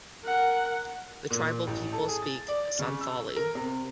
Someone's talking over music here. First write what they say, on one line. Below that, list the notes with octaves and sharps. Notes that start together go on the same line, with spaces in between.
The tribal people speak Santhali.
A#4 F#5
A#2
A1
A4
G#4
A6
D5
C#3
E6
A#4
C3